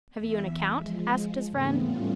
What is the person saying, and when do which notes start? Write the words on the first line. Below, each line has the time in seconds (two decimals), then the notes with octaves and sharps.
"Have you an account?" asked his friend.
0.15 E2 E5
0.76 F3 G#3
1.50 E2 G#2 C#3 A3 B3 C4
1.79 A2 G3 A3 B3 C#4 F4